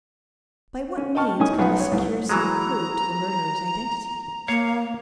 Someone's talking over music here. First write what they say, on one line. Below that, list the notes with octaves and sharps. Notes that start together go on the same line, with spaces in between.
By what means could he secure some clue to the murderer's identity?
C#4
D#5 G5 A5 C#6 F6
A2 C#4 D#4 G#5 D#6
B1 F3 B3 B4 F#5
C#5
C2 A2
E3 F#3 G#3 A#5
A#3 C#5 F5